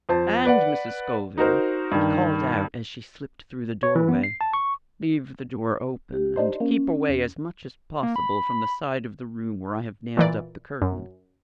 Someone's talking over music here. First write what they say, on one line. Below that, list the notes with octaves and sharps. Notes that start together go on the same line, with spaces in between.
And Mrs. Scoville," he called out as she slipped through the doorway, "leave the door open and keep away as much as possible from the side of the room where I have nailed up the curtain.
F2 C5 A5
B4 D5 F#5
D#4 F#4 A#4 C5
G2 D#3
C#5
E3
B3
C7
A5
C#6
G4
D4 D#4 C5
A#3 C#4
E2
A#3
B5
A#2 E3 D5
F#2